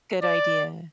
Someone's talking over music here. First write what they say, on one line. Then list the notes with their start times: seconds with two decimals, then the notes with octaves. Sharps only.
Good idea.
0.23 D5